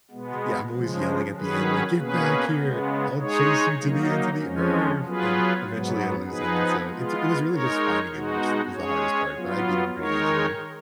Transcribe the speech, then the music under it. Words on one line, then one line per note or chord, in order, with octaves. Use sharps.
Yeah, I'm always yelling at the end, like," Get back here, I'll chase you to the ends of the Earth," and eventually, I lose him, and so it it was really just finding him, which was the hardest part, but I beat him pretty easily.
B2 G#3 B3
C#3 F3 G#3
D#3 F#3 C#4 G#4 B4
B2 A#3 C#4 G#4 B4
C#3 G#3 B3
G#3 D#4 G#4 C#5
F#3 A#3 D#4
F2 F3 G#3 C#4
F#3 B3 F4 G#4 B4
G#2 F#3 B3
F3 B3 D#4 G#4 B4
G#3 B3 F4
G#3 D#4 A#4 C#5
B2 G#3 D#4 F#4
G#3 C#4 G#4 C#5
F#3 B3 F4
D#3 G#3 D#4 A#4 C#5